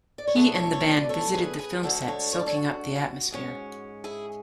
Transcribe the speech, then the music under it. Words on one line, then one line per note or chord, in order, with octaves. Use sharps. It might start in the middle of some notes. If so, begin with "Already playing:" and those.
He and the band visited the film set, soaking up the atmosphere.
D5
C#5
B2 A3 D4 G#4 B4
A4 C#5
A4 C#5
B4 D5
A4 C#5
G#4 B4
G#4 B4
D2 D3 G#3 F#4 A4
A4 C#5
C#5
D5
A4 C#5
F#4
G#2 G#3 C#4
E4 G#4